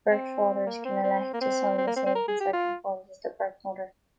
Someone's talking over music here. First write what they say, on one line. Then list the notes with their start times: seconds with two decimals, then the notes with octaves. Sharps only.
Birth fathers can elect to sign the same consenting forms as the birth mother.
0.10 C4
0.66 A#3
0.85 C4
1.04 C4
1.34 A#3
1.41 C4
1.78 C4
1.87 A#3
1.96 C4
2.06 C4
2.15 A#4
2.28 G#4
2.40 G4
2.53 F4